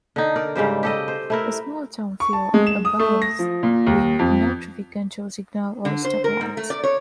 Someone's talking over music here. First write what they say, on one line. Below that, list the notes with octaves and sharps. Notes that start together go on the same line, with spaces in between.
A small-town feel abounds with no traffic control signals or stop lights.
D3 D#4
A#4 D5
G#2 C#3 G3 C5
G4 A4 D#5
C5
A3 E4 A#4
C#6
A5
G#3
E7
D#6
A3
A#6
F3
A#2
D#2
F2
D3
C5
A#4
G#2
A3
D5
C#5